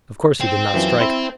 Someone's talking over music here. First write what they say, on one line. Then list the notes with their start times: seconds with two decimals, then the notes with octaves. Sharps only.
Of course he did not strike.
0.41 C5 G5
0.74 F#2 E3 F3
1.00 C4 E4